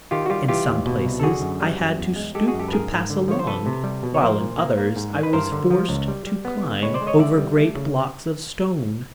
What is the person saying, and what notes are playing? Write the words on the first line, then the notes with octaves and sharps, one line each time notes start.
In some places I had to stoop to pass along, while in others I was forced to climb over great blocks of stone.
D#3 F4 G4
F#4
G3 F4 G4
E3 F4 G4
D#2
B2
C2
A4
D3 F#4 G#4
F#2
G3
F#2
E2
G#3
G#3 G4 A4
F#4 G#4
F#2
G4 A4
B4
G#2 G#4 A#4
G#2
D3
F3 C#5
C5
C3 A4 B4
C3
G3
B2
C#5
F3 A#4 C5
A#2
A#3
A#3
G#2
D#3
B4
G2 A#4 C5
D3
F3
C#2
G3
G3
B3
D3
G#3 B4 C#5
C5 D5
G#3
C#5 D#5
D3 D5 E5
G3
A3
C#3